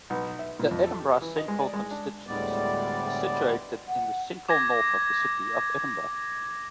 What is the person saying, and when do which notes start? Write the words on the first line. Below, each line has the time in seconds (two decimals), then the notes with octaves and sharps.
The Edinburgh Central constituency is situated in the central-north of the City of Edinburgh.
0.10 B1
0.39 E5
0.59 A#2
0.71 F2
0.87 A4
1.00 G4
1.21 E3
1.36 D#5
1.48 G#3
1.61 D5
1.73 G#3
1.91 D4
2.27 D2 A2 G3 G#3 B3 D5
3.88 F#5
4.49 D6 G#6 A#6